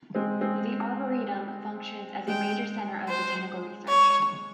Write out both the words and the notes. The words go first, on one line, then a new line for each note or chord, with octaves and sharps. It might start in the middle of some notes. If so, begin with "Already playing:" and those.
The arboretum functions as a major center of botanical research.
G#3 C4
G#3 C4
G#3 G5
C5
C#5